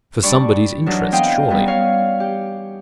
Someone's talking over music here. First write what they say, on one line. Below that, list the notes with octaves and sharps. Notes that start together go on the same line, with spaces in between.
For somebody's interest, surely.
G2 D4 D5 B5 C#6
E3 F#3 D4 D#4 A#4
B3 C4 E4 D#5 F5 G5
G3 B3 C#4 D#4
C#5 F5
G4